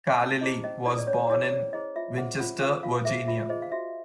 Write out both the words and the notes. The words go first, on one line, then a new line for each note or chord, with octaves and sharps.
Carlile was born in Winchester, Virginia.
C#4 A5
E4 G#4 C5 D#5
C#4 D#5
E4 G#4 C5 D5
D5
C#4 C#5
E4 G#4 C5 C#5
C#4 D5
E4 G#4 C5 D#5
F4 E5
G#4 C5 F#5
F4 F#5
G#4 C5 F5
F4 F5
G#4 C5 E5
F4 E5
G#4 C5 D#5
F5
F#4 E5